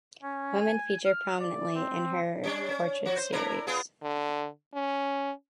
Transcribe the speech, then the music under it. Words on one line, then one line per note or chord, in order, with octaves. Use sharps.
Women feature prominently in her portrait series.
C#4
G#5
F6
D5
C4
G3 C#4 D4
C#4
F3 F#4
C5
D4 E4 A#4
B3 F4 G#4
D3
C#4